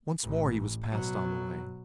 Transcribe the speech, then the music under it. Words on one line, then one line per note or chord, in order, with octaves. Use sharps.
Once more he was passed on the way.
A1
B2 F#3